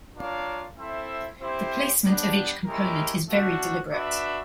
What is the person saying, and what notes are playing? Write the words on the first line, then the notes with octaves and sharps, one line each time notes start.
The placement of each component is very deliberate.
D4 F4 A#4 C#5 F5
C4 E4 A4 C5 E5
C4 E4 G4 C5
G3 B3 D4
G#3 C#4 E4 G4 A#4
A3 D4 F#4
D4 F#4 B4 E5